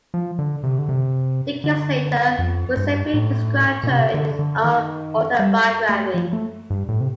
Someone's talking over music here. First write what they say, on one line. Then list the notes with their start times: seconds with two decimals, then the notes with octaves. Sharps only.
Decades later, Giuseppe described her in his own autobiography.
0.14 F3
0.39 D3
0.64 C3
0.79 D3
0.89 C3
1.64 D3
2.39 F2
2.77 G2
3.14 A2
3.83 A#2
3.89 C3
4.14 D3
4.39 D3
4.64 D#3
5.39 G3
5.89 A3
6.14 F3
6.33 A3
6.70 G2
6.89 A2
7.00 C3